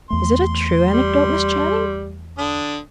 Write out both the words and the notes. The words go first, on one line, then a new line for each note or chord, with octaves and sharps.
"Is it a true anecdote, Miss Channing?"
E2 A3 C6
G3
D3 D4 D#6